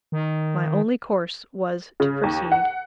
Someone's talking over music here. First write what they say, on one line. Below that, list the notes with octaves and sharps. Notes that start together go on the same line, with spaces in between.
My only course was to proceed.
D#3
C#3
D#2
F#5